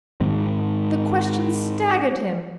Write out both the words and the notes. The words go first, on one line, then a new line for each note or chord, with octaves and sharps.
The question staggered him.
G#2 D#3 G#3 C4